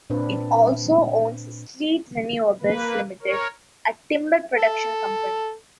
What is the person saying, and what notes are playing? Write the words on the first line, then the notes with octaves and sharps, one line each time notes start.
It also owns Sleat Renewables Limited, a timber production company.
A#2 C4 D4 B4
A#3 B4
A#4 C#5
A4